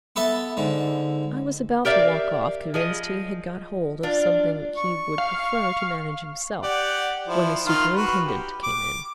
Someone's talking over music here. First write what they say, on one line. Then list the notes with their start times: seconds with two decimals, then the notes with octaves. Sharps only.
I was about to walk off, convinced he had got hold of something he would prefer to manage himself, when the Superintendent came in.
0.16 B3 A4 B4 E5 A5
0.57 G#2 D3
1.85 G4 A#4 D5 E5 F5
2.74 F3 G#4 D#5
4.03 D4 F4
4.77 C#6
5.18 F5
6.63 G4 D5 F#5
7.28 F3 E4
7.66 D#3 F4 F6
7.95 F#4 B4
8.25 G4
8.63 D6